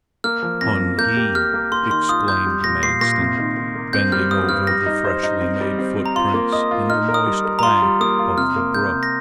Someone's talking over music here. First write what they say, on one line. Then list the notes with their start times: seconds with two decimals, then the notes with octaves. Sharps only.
"Hun-he!" exclaimed Manstin, bending over the freshly made footprints in the moist bank of the brook.
0.24 A#3 F6
0.43 F3
0.61 F2 A#6
0.80 F2
0.98 A#3 G6
1.16 G4
1.35 G4 F6
1.54 A#3
1.72 A#3 C6
1.90 D#3 C6
2.09 F4 D#6
2.27 F4 G6
2.46 G3
2.64 A#2 A#6
2.83 A#2 C7
3.01 A#2 A#6
3.20 C3
3.38 D#3
3.57 D#3
3.75 A#3
3.93 C4 G6
4.12 G3 F6
4.31 G2 D#6
4.49 G2 F6
4.67 G3 A#6
4.86 D#4
5.05 C5
5.23 D#4
5.42 C4
5.61 G3
5.79 C4
5.97 C4
6.06 A#5
6.15 F4 C6
6.34 A#3
6.53 D#5 D#6
6.71 F4
6.89 D#4 F6
7.08 A#4
7.14 D#6
7.26 G3
7.45 A#4
7.59 A#5
7.63 F4 C6
7.82 G3
8.01 A#3 D#6
8.19 F4
8.37 C3 F6
8.56 A#3
8.74 C3 G6
8.93 C3
9.03 A#6